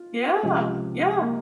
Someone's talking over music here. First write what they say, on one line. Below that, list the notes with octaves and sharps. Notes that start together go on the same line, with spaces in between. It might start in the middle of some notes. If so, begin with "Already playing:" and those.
Yeah, yeah.
Already playing: F4
C#2 C3 F3
A#3